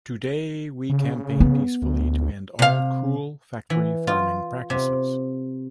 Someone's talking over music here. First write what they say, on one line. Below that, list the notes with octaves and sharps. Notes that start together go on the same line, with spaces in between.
Today we campaign peacefully to end all cruel factory farming practices.
C#3
B3
D2
C3 F5
E3
F4
C3